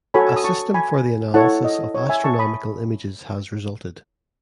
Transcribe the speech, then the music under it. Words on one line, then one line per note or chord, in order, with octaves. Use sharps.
A system for the analysis of astronomical images has resulted.
F#4 A4 C#5 G#5 B5
E6
D#6
A5 C#6
G#5 B5
E4 A4 C#5 F#5 A5
D#5
C#5
E5 G#5
A5 C#6
B5 D#6